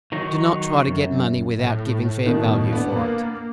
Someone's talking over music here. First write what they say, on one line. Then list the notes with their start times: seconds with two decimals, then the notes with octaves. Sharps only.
Do not try to get money without giving fair value for it.
0.12 D#3 F#3 D#4
0.87 F#2
1.59 A2
2.26 B2 D#3
2.73 B3 D4
2.96 A#3